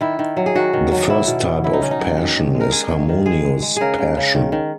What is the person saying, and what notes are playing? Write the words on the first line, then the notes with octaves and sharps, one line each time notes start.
The first type of passion is harmonious passion.
D#3 E4
D#3
F#3
G#4
D#3 F#4
D#3
F#3
B2 E4
B2
B2
F#3 E4
D#4
B2 C#4
D#4
F#3
D#3
D#3
G#3
A#4
G#3 G#4
D#3
D#3
G#3 G#4
G#3
G#3
C#3 G#4 A#4
C#3
C#3
D#3
D#3